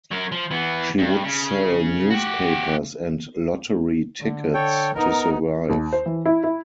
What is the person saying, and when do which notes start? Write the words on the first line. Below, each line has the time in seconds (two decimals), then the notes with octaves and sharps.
She would sell newspapers and lottery tickets to survive.
0.12 F#3 A#4
0.32 F3
0.51 E3 B3
0.99 G2
1.24 C#3
2.10 F#4 G4
4.20 D3
4.54 A4 C#5 G5
4.95 B3 D#4 A#4
5.69 D#2
5.93 C5
6.06 E3
6.25 E4
6.44 E4